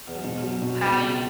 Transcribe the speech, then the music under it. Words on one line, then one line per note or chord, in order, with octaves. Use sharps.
W how you
E2
F#2
G#2 B2
F#2 F#3
F#2 B2
G#2 B3
C#2